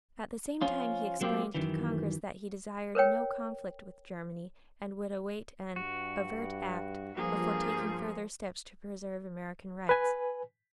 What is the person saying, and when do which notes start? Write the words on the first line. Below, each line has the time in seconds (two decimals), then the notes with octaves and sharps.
At the same time he explained to Congress that he desired no conflict with Germany and would await an "overt act" before taking further steps to preserve American rights.
0.62 F3 C#4 F4
1.21 F#3 A#3 C4 F4 G4
1.55 F#2 D#3 E3
2.95 A#4 B4 C#5 G5
5.76 G2 F#4
7.16 G2 F3 A#3 G#4
9.89 B4 G#5